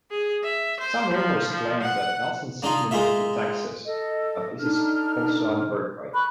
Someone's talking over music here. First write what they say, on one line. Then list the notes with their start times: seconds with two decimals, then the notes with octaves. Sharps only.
Some rumors claim that Nelson simply moved to Texas, but this is also unverified.
0.10 G#4
0.43 E5
0.79 C5
1.13 F3
1.50 F3
1.82 F#5
2.62 A#3 D4 D#4 F4
2.91 G#3 A#3 F4 E5
3.85 A4 D#5
4.60 D4 D#4 A4 F6
6.14 B5 C#6 F#6